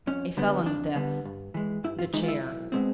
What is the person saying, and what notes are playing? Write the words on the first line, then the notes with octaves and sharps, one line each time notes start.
A felon's death--the chair!
F2 C#4
D3 G3 B3
F2 D4
D3 G3 B3
G2
E3 G#3
G2 E4
F4
E3 G#3 D#4
F4
E4
B1
B2 G#3 C4